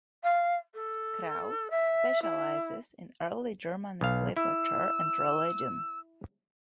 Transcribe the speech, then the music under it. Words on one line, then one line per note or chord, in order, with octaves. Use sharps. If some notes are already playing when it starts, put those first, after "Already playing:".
Krause specializes in early Germanic literature and religion.
F5
A4
E5
E4
B1 F5
E4 E6